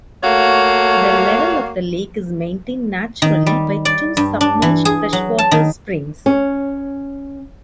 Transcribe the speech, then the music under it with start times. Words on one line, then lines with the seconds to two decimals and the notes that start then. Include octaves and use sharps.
The level of the lake is maintained naturally by two submerged freshwater springs.
0.23 A3 A#3 F#4 C#5 F5
3.22 D#3
3.47 G3
3.85 D5
4.17 G2
4.41 D4
4.62 E3
4.85 G#4
5.13 F#3
5.38 A5
5.51 D#3
6.26 C#4